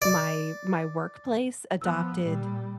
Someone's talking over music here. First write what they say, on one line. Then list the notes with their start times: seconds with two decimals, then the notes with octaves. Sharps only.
my my workplace adopted
0.02 D5
1.82 F3 B3 E6 F#6
2.21 A#2 G3